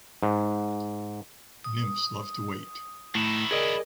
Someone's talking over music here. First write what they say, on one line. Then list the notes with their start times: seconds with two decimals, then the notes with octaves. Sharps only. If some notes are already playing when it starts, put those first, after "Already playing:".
Nymphs love to wait.
0.23 G#2
1.64 D#6
3.15 A2 D#3 E4
3.51 G#4 A#4 D5 D#5